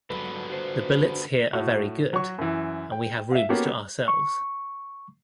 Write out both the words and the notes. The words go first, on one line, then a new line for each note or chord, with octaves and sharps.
The billets here are very good and we have rooms to ourselves.
G#2 D3 F#3 B3 B4
F#4 C5
A2 F#4
F#3 C#5 C#6
F#2 E3
G5
E5 F5
A#3 B3 C#4 F#4 G4 A4
C#6